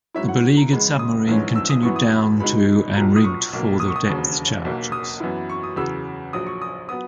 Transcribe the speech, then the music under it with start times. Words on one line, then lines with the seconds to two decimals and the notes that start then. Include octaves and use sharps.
The beleaguered submarine continued down to and rigged for depth charges.
0.14 G#2 F#3 C#4 E4 E5
0.29 F#5
0.57 A#5
0.71 E2 C#3 G#3 B5
0.99 D#6
1.27 A#1 G#2 E3 G#3 C#4
1.56 E6
1.70 D#6
1.83 F#2 E3 B3 E4 C#6
1.96 D#6
2.12 B5
2.40 C#2 B2 G#3 D#4 B5
2.96 B1 A#2 F#3 A#5
3.16 D#6
3.24 C#6
3.53 B1 B2 A#3
3.80 D#6
3.88 C#6
3.96 D#6
4.08 E1 D#2 C#3 F#3
4.65 B1 B2 F#3 A#3
4.92 D#6
5.20 F#2 E3 B3 E4
5.49 C#6
5.64 D#6
5.76 E2 C#3 F#3 E6
6.33 A#1 A#2 F#3 D#6
6.47 C#6
6.62 D#6
6.89 F#3 B3 D#6